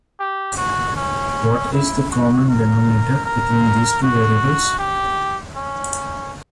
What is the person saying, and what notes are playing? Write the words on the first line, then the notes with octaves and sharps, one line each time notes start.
What is the common denominator between these two variables?
G4
F#4
C#4
E4
F#4
A#4
A#4
F#4
G4
C#4